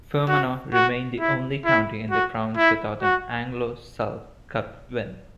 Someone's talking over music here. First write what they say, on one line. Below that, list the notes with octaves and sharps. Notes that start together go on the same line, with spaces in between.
Fermanagh remain the only county in the province without an Anglo-Celt Cup win.
F#4
F#4
E4
E4
F#4
E4
F#4